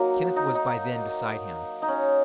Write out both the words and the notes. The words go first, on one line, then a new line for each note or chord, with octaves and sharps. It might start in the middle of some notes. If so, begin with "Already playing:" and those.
Kenneth was by then beside him.
Already playing: F#3 A#3 D#4 F#4
D#4
D#4
D#4
C#4